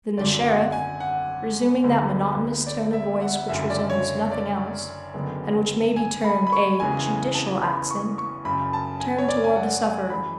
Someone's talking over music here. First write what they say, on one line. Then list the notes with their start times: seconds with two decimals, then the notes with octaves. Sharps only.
Then the sheriff, resuming that monotonous tone of voice which resembles nothing else, and which may be termed a judicial accent, turned towards the sufferer.
0.17 G#1 F#2 D3 F#3 D5
0.45 F#5
0.72 G#5
1.00 F#5
1.83 D2 D3 G#3 B3
2.67 D5
2.93 E5
3.22 F#5
3.48 F#1 F#2 D3 E5
3.70 D5
3.90 C#5
4.31 D5
5.14 F#1 F#2 D3 G#3 B3
5.96 G#5
6.24 B5
6.47 B5
6.53 C#6
6.80 F#1 E2 C#3 E3 G#3 G#5
7.07 G#5
7.35 A5
7.62 B5
7.91 C#6
8.18 C#6
8.45 F#1 F#2 C#3 B5
8.73 A5
9.00 G#5
9.19 C#5
9.28 D5
9.44 G#5
9.56 F#5
9.84 G#5
10.10 F#2 E3 G#3 B5